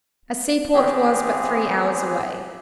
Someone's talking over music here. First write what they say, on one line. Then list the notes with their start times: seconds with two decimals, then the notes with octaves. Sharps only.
A seaport was but three hours away.
0.74 E3 B3 C4 G4 G#4